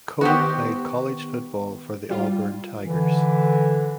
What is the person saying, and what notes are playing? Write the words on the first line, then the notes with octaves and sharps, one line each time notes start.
Coe played college football for the Auburn Tigers.
D#3 B3 C4 D#4 F#4 G4
G3 F4
D3 E3